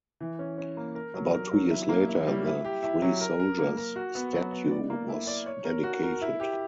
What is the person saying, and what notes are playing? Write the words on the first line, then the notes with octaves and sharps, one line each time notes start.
About two years later the Three Soldiers statue was dedicated.
E3
C#4
C#4
A#3
A#4
F#3
A#4
F#3
E4
A#3
E4
G3
E4
G4
E4
F#3
A#4
A#4
A#3
A#4
F#4
B3
F#3
B3
D5
A#3
E4
D5
C#5
A#4
F#4
A#4
E4
G4